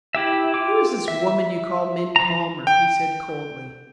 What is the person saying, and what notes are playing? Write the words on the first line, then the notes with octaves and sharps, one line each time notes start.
"Who is this woman you call Min Palmer?" he said coldly.
E4 G4 E5
F4 G5 D6
E5
F3 A#5
G5